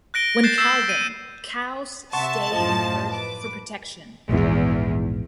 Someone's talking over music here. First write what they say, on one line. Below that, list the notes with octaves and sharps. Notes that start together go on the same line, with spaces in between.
When calving, cows stay in the herd for protection.
F#6 A#6 D7 G7
F#6 G6 A6 C7 D7 E7
E6 F#6 G6 B6 C7 E7
D#7
C3 E5 F#5 A5 C6 C#6
F#2 A2 F3 D#5
B4 D6
A#1 E2 G#2